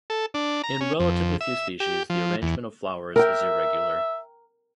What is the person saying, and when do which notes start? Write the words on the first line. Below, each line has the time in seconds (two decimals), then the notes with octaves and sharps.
In relatively few species, the arrangement of flowers is irregular.
0.10 A4
0.34 D4
0.64 A#5
0.81 C#4
1.00 F2
1.41 E5
1.80 G4
2.10 F3
2.42 E2
3.16 A#4 E5 G5